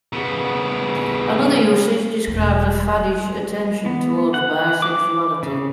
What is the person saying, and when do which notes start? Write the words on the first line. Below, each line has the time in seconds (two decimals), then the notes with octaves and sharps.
Another usage describes a faddish attention towards bisexuality.
0.13 C#3 B3
2.27 E1 A#3
3.86 B3
4.34 F#5
4.82 D6
5.43 C#3